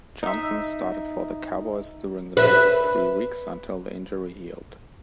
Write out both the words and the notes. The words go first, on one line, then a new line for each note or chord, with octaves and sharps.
Johnson started for the Cowboys during the next three weeks until the injury healed.
D#4 E5
B4 E5